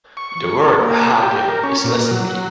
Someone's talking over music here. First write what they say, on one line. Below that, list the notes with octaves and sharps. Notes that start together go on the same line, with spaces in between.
The word Hage is less clear.
C#6
A4
A#3
G4
A#4
C#4
A#2
F#3